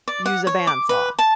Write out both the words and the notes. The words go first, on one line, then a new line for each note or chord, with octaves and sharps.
use a band saw
D5
F#5
C#5
D6
B4
A5